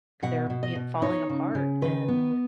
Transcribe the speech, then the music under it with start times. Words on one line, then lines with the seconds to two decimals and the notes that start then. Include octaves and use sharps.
they're y falling apart, and
0.23 B2 F#5
0.50 B2
0.63 D#5
0.75 B2
1.02 D#4 C#5
1.29 C#3
1.55 C#3
1.82 D#3 B4
2.08 B3